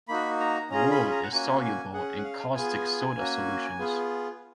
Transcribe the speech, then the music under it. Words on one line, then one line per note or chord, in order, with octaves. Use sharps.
Wool is soluble in caustic soda solutions.
A#3 D#4 F#4 B5
A#5
C#4 F4 G#4 A#5
B5
A#5
F#5
A#3 C#4 F#4 G#5
G#5
C#4 G#4 F#5
F#5
F5
B3 F4 G#4 G#5
A#3 C#4 F#4
B3 F4 G#4